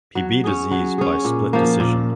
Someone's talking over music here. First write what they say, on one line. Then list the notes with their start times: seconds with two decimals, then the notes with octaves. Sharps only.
He beat Aziz by split decision.
0.15 F#3
0.44 C#4 G#4
0.71 F#3
0.98 C#4 G#4
1.25 A#2
1.53 F3 A#3
1.80 A#2